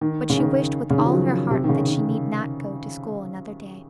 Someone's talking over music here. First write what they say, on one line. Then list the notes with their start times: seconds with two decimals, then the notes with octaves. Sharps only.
But she wished with all her heart that she need not go to school another day.
0.01 D#3
0.30 C#3
0.39 D#3
0.90 C#3
0.98 D#3
1.06 F3
1.13 F#3
1.50 C3
1.64 D#3
1.69 C#3
1.88 D#3